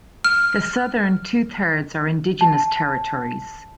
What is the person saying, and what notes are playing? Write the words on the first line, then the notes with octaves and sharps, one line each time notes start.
The southern two-thirds are indigenous territories.
F6
A5